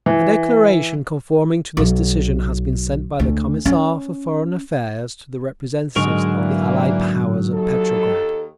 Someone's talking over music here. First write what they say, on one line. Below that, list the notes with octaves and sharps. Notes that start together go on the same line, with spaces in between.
A declaration conforming to this decision has been sent by the Commissar for Foreign Affairs to the representatives of the Allied powers at Petrograd.
E3
B1
D2
C#4
G#2 D3 F#3 G#3 A#4 C#6
E3 A#3 D5
D#2 A4